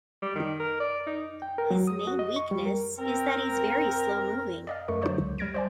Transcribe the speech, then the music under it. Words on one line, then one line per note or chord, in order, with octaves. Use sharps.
His main weakness is that he's very slow moving.
G3
D#3
A#4
D5
D#4
G5
A#4
F#3
D#6
F#4
D#5
C#6
G3
A#4
C4 A#4
D5 D#5 F5
F#2 A3 A#4 C#6
D3 F#3 C5 D5 C#6
C#2
G3 F6 G#6 A#6 D7
C5 D5 G#5